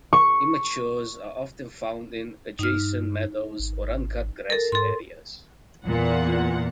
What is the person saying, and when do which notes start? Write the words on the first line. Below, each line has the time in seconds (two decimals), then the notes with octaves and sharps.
Immatures are often found in adjacent meadows or uncut grassy areas.
0.13 C#6
2.59 G2 D#4 F6
3.59 G#1
4.50 A4 A#4
4.72 G#2 A4 C6
5.87 E2 A#2 F#5